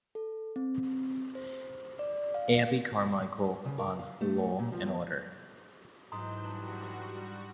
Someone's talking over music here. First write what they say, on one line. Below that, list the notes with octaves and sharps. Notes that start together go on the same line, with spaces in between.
Abbie Carmichael on "Law and Order".
A4
C4
C5
D5
F5
C#3
A#4
F5
A3
A#2
F3
E2
G#2 E3 F#3 A#5 C6 D#6 G6 E7
G3 D4 F#4 B4